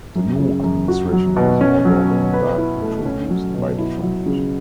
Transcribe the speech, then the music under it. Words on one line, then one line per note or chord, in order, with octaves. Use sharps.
The new administration was modelled on that introduced by the French.
F#2
C#3
F#2
F#4
F#3
B2
C#4
F#3
B2
B4
E4
A3
C#4
F#3
B2
E4
F#3
C#3